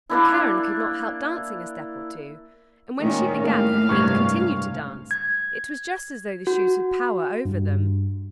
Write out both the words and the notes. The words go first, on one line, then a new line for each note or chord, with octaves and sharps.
And Karen could not help dancing a step or two, and when she began her feet continued to dance; it was just as though the shoes had power over them.
A#3 D4 E4
A#2 D#3 G#3 C#4
A2 A#3 F5
C#2 G2 C3 C#6 G#6
G#6
F#4
G2